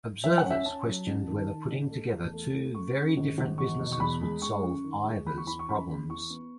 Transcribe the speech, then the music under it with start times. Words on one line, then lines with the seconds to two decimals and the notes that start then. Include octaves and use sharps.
Observers questioned whether putting together two very different businesses would solve either's problems.
0.24 F#3 E5
0.38 F#5
0.44 C#4
0.50 E5
0.66 C#4 A5
0.86 F#3
1.07 A1
1.28 D#3
1.50 D#3
1.71 A1
1.91 A3
2.13 E2
2.34 A3
2.54 A3
2.74 F#2 C#6
2.95 C#3
3.17 G#1
3.38 G#1
3.58 E2 C#6
3.80 B2
3.92 C#6
4.00 E2 B5
4.22 G#3
4.42 G#3 C#6
4.63 F#2
4.84 D#3
5.04 G#3
5.26 E2 B5
5.37 C#6
5.46 E3 B5
5.59 C#6
5.68 C#3 B5
5.89 E2
6.09 E3 C#6
6.30 B3